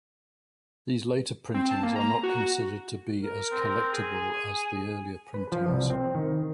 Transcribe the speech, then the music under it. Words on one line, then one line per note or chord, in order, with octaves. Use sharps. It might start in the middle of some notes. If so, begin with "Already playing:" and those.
These later printings are not considered to be as 'collectible' as the earlier printings.
C4
A5
A#3
A#5
F#4
A#4
C4
G#4
G#5
B4
F3
C2
C4
D#3